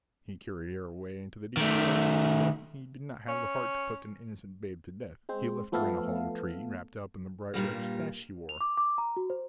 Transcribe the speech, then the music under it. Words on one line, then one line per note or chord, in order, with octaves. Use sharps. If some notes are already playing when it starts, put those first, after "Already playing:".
He carried her away into the deep forest, but he did not have the heart to put an innocent babe to death. He left her in a hollow tree, wrapped up in the bright red sash he wore.
D#3 A3
C#4
G#3 C4 C5
F3 A3 B3 A4 F5
G2 A#2 G3 A#3
F7
D6
D6
A#5
F#4
C5